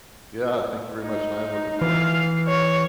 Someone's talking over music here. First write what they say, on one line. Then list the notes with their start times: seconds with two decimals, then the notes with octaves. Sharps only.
Yeah, thank you very much, and I am looking forward to the future.
1.03 D#4
1.81 E3 F5
2.47 C#5